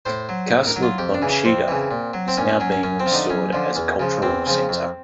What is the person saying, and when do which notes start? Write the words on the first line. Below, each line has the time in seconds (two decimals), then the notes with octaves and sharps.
The Castle of Bonchida is now being restored as a cultural center.
0.05 A2 C5
0.29 F#3
0.52 A2
0.67 A#4
0.76 F#3
0.83 F4
0.98 F2 G4
1.14 D4
1.22 C#3 E3
1.29 C#4
1.45 F2 C4
1.68 C#3 E3
1.91 A#2
2.14 F#3
2.28 C4
2.37 A#2 C#4
2.49 C#4
2.60 F#3 C#4
2.72 C#4
2.83 F#2 C#4
3.00 C4
3.06 F3
3.11 D3 D#4
3.30 F#2 C#4
3.53 D3 F3
3.76 E2
4.00 C#3 F3
4.22 E2 C4
4.46 C#3 F3
4.69 F2